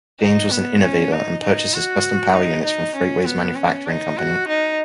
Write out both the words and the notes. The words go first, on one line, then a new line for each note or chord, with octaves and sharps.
James was an innovator, and purchased his custom power units from Freightways Manufacturing Company.
D#4
B3
C#4
D#4
D#4
F#4
D#4
D#4
C#4
B3
C#4
D#4
F#4
D#4